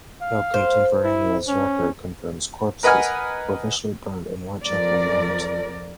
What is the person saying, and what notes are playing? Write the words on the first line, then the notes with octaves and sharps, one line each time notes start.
No contemporaneous record confirms corpses were officially buried in Whitechapel Mount.
F5
C5
E4
C#4
A#4 B4 D#5 F#5 G#5 F6
F2 A#4 D5